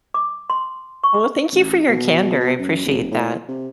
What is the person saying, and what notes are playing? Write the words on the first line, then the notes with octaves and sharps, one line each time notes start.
Well, thank you for your candor, appreciate that.
D6
C6
C#6
A1
B2
B2
F#2
F1
A2
C3